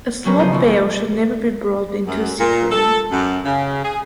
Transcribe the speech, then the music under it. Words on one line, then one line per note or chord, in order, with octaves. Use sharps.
A slop-pail should never be brought into a sick room.
F#3 G3 C#4 A#4 B4
C#3 F3 D4 G#4 C5
B2 E3
G3 G#3
F#2
A#2
A4
F#2
C#3
G#4